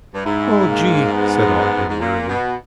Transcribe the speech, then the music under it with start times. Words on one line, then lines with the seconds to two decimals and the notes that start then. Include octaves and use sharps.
"Oh, Gee," said Ogden wearily.
0.14 G2
0.24 G#2 E4
0.69 A#3
1.13 B3
1.89 G#2
2.00 A#2 A#3
2.29 B2 B3